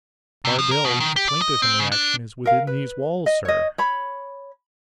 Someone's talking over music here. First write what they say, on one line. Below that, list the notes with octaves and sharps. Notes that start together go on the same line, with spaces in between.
Bardell, the plaintiff in the action, is within these walls, Sir.'
C3
F3
A#4
B2
D#3
G4
D5
D#5
C4
C#3
D4
A#4 F5
B4
D#5
C#5 D#5
C#5 B5